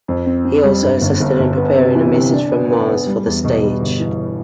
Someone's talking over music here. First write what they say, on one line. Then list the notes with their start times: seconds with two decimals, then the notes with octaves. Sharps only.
He also assisted in preparing "A Message From Mars" for the stage.
0.08 F2
0.26 C4
0.45 C4
0.64 G3
0.82 G2
1.01 G1
1.20 G1
1.39 G1
1.57 B3
1.76 C3
1.95 E3
2.14 C3
2.33 D4
2.51 B3
2.70 B3
2.89 B3
3.07 G3
3.26 E2
3.44 B2
3.63 G3
3.82 G1
4.00 E3